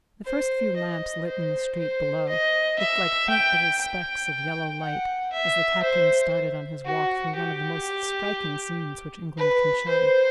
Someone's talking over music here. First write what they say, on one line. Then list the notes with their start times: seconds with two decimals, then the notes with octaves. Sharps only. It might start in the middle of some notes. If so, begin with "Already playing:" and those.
The first few lamps lit in the street below looked like faint little specks of yellow light, as the captain started on his walk through one of the most striking scenes which England can show.
0.25 C5
0.76 D#5
1.27 C5
1.78 C5
2.29 D#5
2.79 E5
3.30 G5
3.81 G5
4.82 F#5
5.33 E5
5.83 C5
6.85 F#4
7.35 G4
9.38 B4
9.89 C5